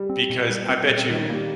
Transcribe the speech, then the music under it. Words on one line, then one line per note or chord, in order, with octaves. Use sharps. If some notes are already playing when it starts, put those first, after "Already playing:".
Because, I bet you,
Already playing: G3
C4
A#2
G3
C4
A#2
D#3 G3
G3 A#3